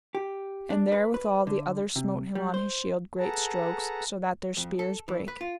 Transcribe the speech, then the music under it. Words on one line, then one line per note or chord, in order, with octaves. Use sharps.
And therewithal the other smote him on his shield great strokes, so that their spears brake.
G4
D4
B4
B4
D3
C3
G3
C5
G#4 A4 B4 F#5 A5 A#5
F2
A4
E3
B4
F4